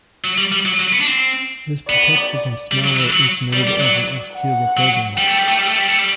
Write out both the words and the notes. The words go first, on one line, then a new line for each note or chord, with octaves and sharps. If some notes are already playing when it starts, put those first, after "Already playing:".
This protects against malware implemented as an executable program.
F#3
G3
G3
F#3
F#3
B3
D4
C4
B3 D5
G3
F#3
E3
F#3
G3 D5
G3
F#3
F#5
F#3
G3 G5
A3
G3
A3
G3
A3
G3
A3
G3